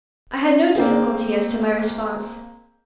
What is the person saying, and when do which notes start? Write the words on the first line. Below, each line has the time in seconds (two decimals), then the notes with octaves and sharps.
I had no difficulty as to my response.
0.75 A#3 C4 G#4